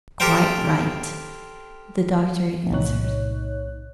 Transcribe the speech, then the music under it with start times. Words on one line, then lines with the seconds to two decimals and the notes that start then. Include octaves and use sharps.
"Quite right," the doctor answers.
0.20 G4 A4 A#4 C5 G5
2.71 B1 A2 C3 D#4 C#5 F#6